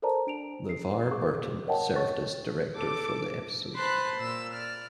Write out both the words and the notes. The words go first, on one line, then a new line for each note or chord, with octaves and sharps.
LeVar Burton served as director for the episode.
A4 A#4 C5 D5 A5 A#5
D4 D7 F7
C7
G#4 C#6 D6
A#4 C#5 D#5 F#5 G5 A5
C#5 C#6 A6
A4 D6
B4 C5 A5 B5 C6 F#6
A#2 E6
D5 F6